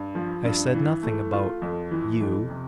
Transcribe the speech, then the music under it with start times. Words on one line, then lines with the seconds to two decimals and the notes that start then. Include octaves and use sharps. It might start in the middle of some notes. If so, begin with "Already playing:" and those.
"I said nothing about--you."
Already playing: G2
0.15 F3
0.45 G2
0.74 E3
1.03 A3
1.33 F4
1.62 F2
1.91 E3
2.21 F2
2.50 C3